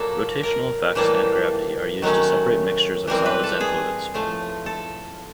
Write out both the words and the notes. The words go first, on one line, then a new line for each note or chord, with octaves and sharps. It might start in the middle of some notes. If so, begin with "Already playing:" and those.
Rotational effects and gravity are used to separate mixtures of solids and fluids.
Already playing: A#2 F#3 A#3 A4
A#4
A2 E3 G3 A#3 A4
D#3 F#3 A3 C#4
E3 G3 C4 A#4
B4
A4
G#4
A2 F3 A3
A4